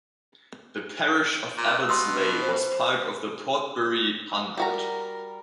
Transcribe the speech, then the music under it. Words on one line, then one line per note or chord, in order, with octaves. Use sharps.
The parish of Abbots Leigh was part of the Portbury Hundred.
A#2
B2 C6 D#6 E6
C5
G3 F#4 A#4 A#5